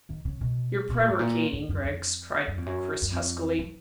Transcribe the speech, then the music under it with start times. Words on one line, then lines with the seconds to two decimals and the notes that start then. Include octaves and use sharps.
"You're prevaricating, Griggs," cried Chris huskily.
0.09 D#3
0.25 C#3
0.41 B2
0.89 B2
0.99 A#2
1.09 G#2
1.19 A#2
1.53 G#2
1.69 F#2
1.84 F2
2.47 F#2
2.57 F2
2.66 F#2
3.02 F#2
3.11 F2
3.59 F3